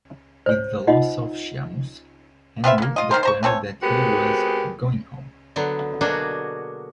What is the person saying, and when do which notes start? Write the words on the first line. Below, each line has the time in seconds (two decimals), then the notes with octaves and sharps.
With the loss to Sheamus, Henry declared that he was "going home".
0.46 C5 C#5
0.87 D#4 F4 D#5 F#5
2.64 B3 C4 F4 E5
2.78 A#3 B3
2.96 F4 D#5
3.11 D#3 B3 A#4 C5
3.23 C5 A#5 C#6
3.43 E3 C4 A4 C#5
3.82 G#3 B3 C4 F#4 G4 A#4
5.56 D3 F#3 B3
6.01 B2 F#3 A#3 D4 F#4 G#4